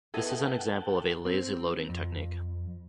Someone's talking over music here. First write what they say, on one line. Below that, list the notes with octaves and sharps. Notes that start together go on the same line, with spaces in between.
This is an example of a lazy loading technique.
B3 E4 G#4 A4 D#5 F#5 G5 A5
C4
F2